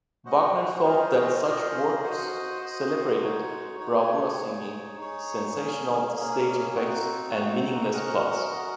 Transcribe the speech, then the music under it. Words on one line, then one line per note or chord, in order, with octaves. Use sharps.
Wagner felt that such works celebrated bravura singing, sensational stage effects, and meaningless plots.
C#4 F#4 C5 D#5 F#5
C#4 F4 G#4 C5 D#5
C#4 F4 G#4 C5 D#5
F#4 C5 D#5
F#4 C5 D#5
G#3 D#4 F#4 C#5
G#3 D#4 F#4 C#5
D#4 G#4 C#5
D#4 G#4 C#5
A#3 C#4 G#4
A#3 C#4 G#4
C4 D#4 F#4
C4 D#4 F#4
C#4 F#4 A#4 D#5 F#5
C#4 F#4 A#4 D#5 F#5